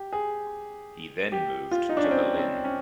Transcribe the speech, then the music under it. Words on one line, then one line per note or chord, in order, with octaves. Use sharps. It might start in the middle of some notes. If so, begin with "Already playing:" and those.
He then moved to Berlin.
Already playing: G4
G#4
G4
F4
D#4
D4
C#4
C4
C4
C#4